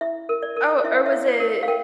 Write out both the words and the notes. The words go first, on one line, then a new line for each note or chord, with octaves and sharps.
oh, or was it
E4 E5
A#4
D5
A#4
E4 E5
F5
E5
E4
D5
A#4
F5
A#4 G5